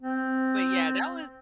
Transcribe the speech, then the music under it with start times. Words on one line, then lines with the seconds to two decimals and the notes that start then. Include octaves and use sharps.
but, yeah, that was
0.01 C4